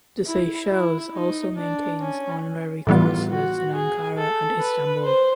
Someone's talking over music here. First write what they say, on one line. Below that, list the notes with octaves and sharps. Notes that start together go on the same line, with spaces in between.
The Seychelles also maintains honorary consulates in Ankara and Istanbul.
E4
E4
D#4
D4
C#4
A2 E3 G3 B3 F4
F#4
G#4
A4
B4
C5